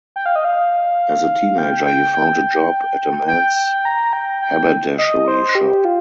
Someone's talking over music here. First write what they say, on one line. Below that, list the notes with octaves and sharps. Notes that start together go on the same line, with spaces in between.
As a teenager he found a job at a men's haberdashery shop.
G5
F5
D#5
F5
G5
G5
G5
G5
G5
A#5
G5
G5
D#5
C5
G4
F4